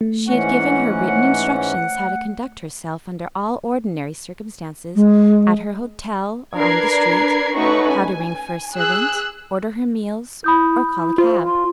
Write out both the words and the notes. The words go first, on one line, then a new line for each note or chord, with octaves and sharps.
She had given her written instructions how to conduct herself under all ordinary circumstances, at her hotel or on the street--how to ring for a servant, order her meals, or call a cab.
A3
G#2 E3 C#4 F#5
G#3
D4 A#4 B4 G#6 C7
A3 C#4 D#4 F#4 B4 C#6
G#5
G#4 E6 F#6
E4 B5 D#6 G6
E4
F4 C5
C6